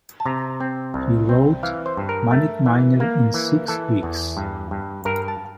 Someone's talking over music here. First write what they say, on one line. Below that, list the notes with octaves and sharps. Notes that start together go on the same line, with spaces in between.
He wrote "Manic Miner" in six weeks.
A5
C3 A#5
C4
C2
C4
E3 F5
C5
G2
A#4
A3
E3
A#3
E3
E3 A4
E2
G2
G2
G2 A#4
A5